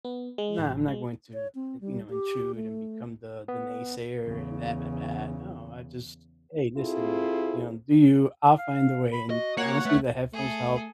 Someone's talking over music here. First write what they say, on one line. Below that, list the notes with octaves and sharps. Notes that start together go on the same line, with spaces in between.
Nah, I'm not going to in you know, intrude and become the the naysayer and, blah, blah, blah, no, I just "Hey listen, you know, do you, I'll find a way," and honestly the headphones help,
B3
G#3
A1
G#3
C#5
C4
G3
G4
A3
B3
E2 C#3
C3 C4 E4 F4 G#4 A4
F5
B5
F#4 D#5
A#3 C#5 F#5
A3 B4 E5
A3 G#4 A4